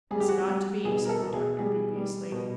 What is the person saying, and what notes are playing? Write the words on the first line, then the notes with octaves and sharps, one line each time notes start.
"As it ought to be," said the doctor dubiously.
G3 G#4
G4
F#4
G4
G3
B2 G#4
A#4
A4
B2
G#4
G3 G#4
G3
B2